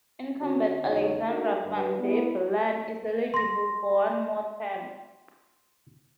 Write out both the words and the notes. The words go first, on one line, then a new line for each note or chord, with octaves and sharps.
Incumbent Alexander Van der Bellen is eligible for one more term.
D3 C4 C#4 F#4
E2 C#3 D#4 F#4 C#5 D#5
D4 D#4 F#4 A4 A#4
G2 D3 B4
B3 E4
C6 A#6